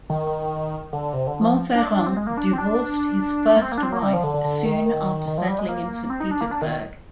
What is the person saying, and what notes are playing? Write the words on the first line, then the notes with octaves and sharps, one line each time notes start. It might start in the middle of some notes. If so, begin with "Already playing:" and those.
Monferrand divorced his first wife soon after settling in Saint Petersburg.
D#3
D3
C3
D3
F3
D4
D4
C4
G#3
A#3
D4
C4
D4
A#3
C4
A#3
D4
C4
A#3
G3
F3
D3
D3
D3
D#3
D#3
D#3
F3
G3
G#3
A#3
C4
D#4
D4
A#3
D4
D#3